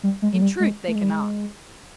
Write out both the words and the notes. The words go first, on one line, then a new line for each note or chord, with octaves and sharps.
In truth they cannot.
G3
G#3
F#3
G3
G#3
A3
G#3
G3
G#3